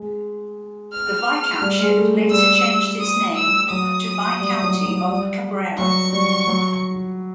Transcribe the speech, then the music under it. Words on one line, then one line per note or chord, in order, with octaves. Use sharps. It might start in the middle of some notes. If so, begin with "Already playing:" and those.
The viscountship later changed its name to viscounty of Cabrera.
Already playing: G#3
F6
G3
G#3
A3
G#3
G3 E6
D#6
E6
F#3 D#6
G3
F#3
F#3
G3
F#3 C#6
G3
F#3